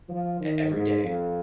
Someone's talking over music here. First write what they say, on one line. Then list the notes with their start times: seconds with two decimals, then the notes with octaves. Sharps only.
e every day.
0.09 F3
0.40 D#3
0.72 G#2
1.03 F2